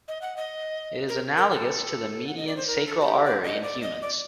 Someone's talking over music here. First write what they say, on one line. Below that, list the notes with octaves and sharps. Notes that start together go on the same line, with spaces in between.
It is analogous to the median sacral artery in humans.
D#5
F#5
D#5
A#4
A#4
A4
F#5
D#5
D5
C5
A#4
A4
F#4
G4
D5
D#5
D5
D#5
D5